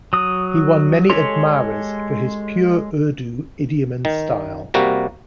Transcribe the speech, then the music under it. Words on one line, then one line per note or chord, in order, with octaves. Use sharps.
He won many admirers for his pure Urdu idiom and style.
F#3 D#6
G#3 G4 A4 C#5 C6
D#3
C3 G3 A#3 F#4